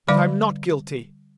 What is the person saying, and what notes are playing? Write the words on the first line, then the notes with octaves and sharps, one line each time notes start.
But I'm not guilty.
D3 G3 D5 F5 B5 D6